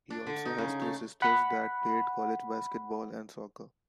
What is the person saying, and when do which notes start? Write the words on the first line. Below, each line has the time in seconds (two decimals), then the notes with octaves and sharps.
He also has two sisters that played college basketball and soccer.
0.10 D4
0.26 D3
0.45 D#4
0.58 C#3
0.81 A3
1.22 F#5 B5